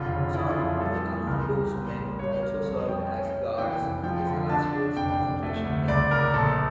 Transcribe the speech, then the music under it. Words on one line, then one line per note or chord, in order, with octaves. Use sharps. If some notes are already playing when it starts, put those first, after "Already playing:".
Some of the commando's men also served as guards at the Salaspils concentration camp.
Already playing: F1 D3 F4
C#3
E3 E4
F4
F2
G3 A4
E3
C#2 A#4
G3
A1
A1
G3 C#5
G3 A#4
F2 C#5
F2 G5
C#4
C#4
E3 G5
F1
F3 G5
D3
D4 A5
D4
F1 G5
F1
A3
D2
C#2 D5
C#2 A#4
A#1 A4